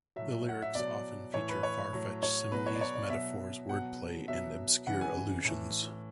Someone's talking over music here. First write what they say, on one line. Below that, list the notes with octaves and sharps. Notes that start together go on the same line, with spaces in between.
The lyrics often feature far-fetched similes, metaphors, word play and obscure allusions.
A2 F#3 E5
F#5
E5
B2 F#3 D5
A2 E3 C#5
B4
C#5
A2 F#3
C#5
B2 F#3 B4
C#5
D5
C#5
D5
B2 F#3 E5
B2 F#3 F#5
B2 F#3 E5
C#3 E3 F#5
G#5
A2 E3